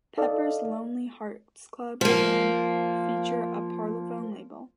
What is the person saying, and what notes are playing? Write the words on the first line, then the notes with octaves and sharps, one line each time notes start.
Pepper's Lonely Hearts Club Band feature a Parlophone label.
D#4 A4 D5 D#5 F5
F3 A#3